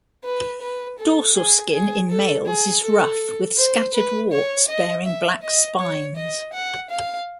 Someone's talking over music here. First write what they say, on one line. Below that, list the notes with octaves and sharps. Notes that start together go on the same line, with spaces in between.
Dorsal skin in males is rough with scattered warts bearing black spines.
B4
B4
A4
G#4
G#4
A4
G#4
A4
C5
B4
C#5
D#5
E5
D#5
C#5
D#5
F#5
F5